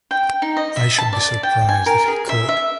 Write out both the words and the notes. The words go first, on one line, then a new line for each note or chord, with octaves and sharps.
I should be surprised if he could.
G5
D#4
D#5
E5
A5
D5
G5
G#5
A#4
G#4
E5
E5